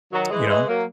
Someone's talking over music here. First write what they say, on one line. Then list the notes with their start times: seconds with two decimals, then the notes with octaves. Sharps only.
you know,
0.12 D#3 F#3
0.30 E3 G#3
0.48 E3 G#3
0.68 F#3 A#3